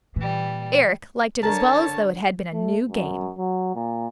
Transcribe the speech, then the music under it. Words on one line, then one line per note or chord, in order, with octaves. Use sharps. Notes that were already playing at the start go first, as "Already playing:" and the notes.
Eric liked it as well as though it had been a new game.
A#2 E3 G3
D3 A#4 C#5 A5 A#5
A3
F#2
F#3
A#2